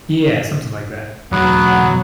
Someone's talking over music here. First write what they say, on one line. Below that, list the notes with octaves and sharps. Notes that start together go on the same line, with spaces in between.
Yeah, something like that.
B1 E2 F#3 B3 F#5